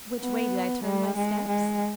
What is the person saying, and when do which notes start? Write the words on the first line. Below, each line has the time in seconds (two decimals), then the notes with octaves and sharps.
Which way did I turn my steps?
0.21 B3
0.84 G3
1.17 G#3
1.48 G#3